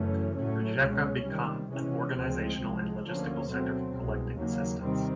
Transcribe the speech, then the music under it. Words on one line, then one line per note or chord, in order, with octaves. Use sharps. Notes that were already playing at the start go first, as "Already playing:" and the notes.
Rijeka become an organizational and logistical center for collecting assistance.
Already playing: F#2 C#3 E3 A3 C#4
A2 F#3 A3 C#4
C#2 B2 G#3 C#4
C3 D#3 G3
C3 E3 G#3 C#4
D2 C#3 F3 G#3 C4
C2 C3 F3 G#3
D2 D3 F3 A#3 C#4
B2 F#3 A3 C4
C2 B2 G#3
D#2 C#3 F#3 A#3
C3 D#3 G3 C4